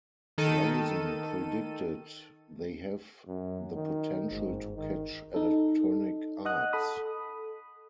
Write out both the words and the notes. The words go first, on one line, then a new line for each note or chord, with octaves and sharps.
Rosen predicted "they have the potential to catch Electronic Arts".
D#3 A4 D#7
F#2
D#3
G1 G#2
D#3
D#4 A4
D#5 F#5 D#6 F#6
A4 B5 D#6